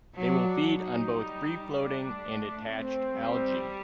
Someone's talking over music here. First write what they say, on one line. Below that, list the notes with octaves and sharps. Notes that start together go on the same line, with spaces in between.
They will feed on both free floating and attached algae.
F#3 D4
F#3 D#4
G3
D4
A3
C4
G3